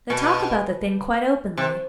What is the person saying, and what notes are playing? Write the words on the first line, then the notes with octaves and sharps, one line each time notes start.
'They talk about the thing quite openly.
B2
C3